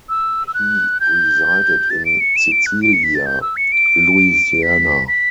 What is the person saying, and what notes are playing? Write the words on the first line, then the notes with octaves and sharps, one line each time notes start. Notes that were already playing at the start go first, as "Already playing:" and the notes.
He resided in Cecilia, Louisiana.
E6
E6
F#6
G6
A6
D7
C#7
E7
D7
F#6
D7
C#7
B6
A6
G6
E6
C#7
D7
B6
B6